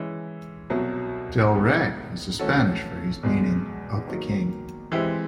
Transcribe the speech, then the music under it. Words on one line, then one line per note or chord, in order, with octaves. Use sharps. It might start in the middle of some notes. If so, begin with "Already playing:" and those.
Del Rey is a Spanish phrase meaning "of the king".
Already playing: E3 G#3 C#4 E4
C2 B2 F#3
G2 D#3 G#3 B3 D#4
E3 A3 C#4 F#4 A4
E2 B2 G#3
D#3 F#3 A#3
E3 G#3 C4 E4 G4